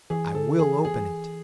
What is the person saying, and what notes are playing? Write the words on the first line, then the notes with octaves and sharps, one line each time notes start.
I will open it!
E3 G#4
D3 A4
E3 G#4
G#4